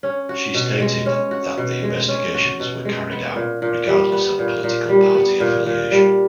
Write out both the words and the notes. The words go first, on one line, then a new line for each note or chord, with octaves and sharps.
She stated that the investigations were carried out regardless of political party affiliation.
C#4
F#4
B2
G#3
C#4
F#4
B2
G#3
C#4
F#4
B2
G#3
B3
A#2
A#2
G3
B3
A#2
A#2
G3
B3
A#2
A#2
G3